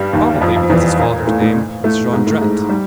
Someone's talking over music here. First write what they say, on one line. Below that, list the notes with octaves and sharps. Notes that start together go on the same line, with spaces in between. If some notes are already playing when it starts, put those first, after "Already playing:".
Probably because his father's name was Jondrette.
Already playing: G2 G3
D#2 D#3
F2 F3
F2 F3
E2 E3
A#2 A#3
A2 A3
A2 A3
A2 A3
G#2 G#3
A2 A3
G#2 G#3
G3